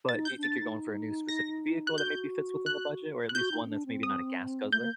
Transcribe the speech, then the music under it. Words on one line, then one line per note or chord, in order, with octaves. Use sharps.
but do you think you're going for a new specific vehicle that maybe fits within the budget or at least one that's maybe not a gas guzzler?
A6
D#4
G6
C4
D4
A6
D#4
A#6
G4 F#6
F#4 G6
F#6
F#6
F#4 G6
D#4
C4
D4
C4
D#6
A3 G6
A#3